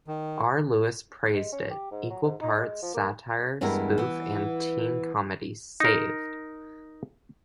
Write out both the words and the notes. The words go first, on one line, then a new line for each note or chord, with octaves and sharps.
R Lewis praised it: "Equal parts satire, spoof and teen comedy, "Saved!
D#3
G#3
C#4
G4
G#2
F#3
G#2
D#4
G#3
F3
A#3
E2 G2 G#3 B3 E4 A#4
E3 B3
D#4 A#4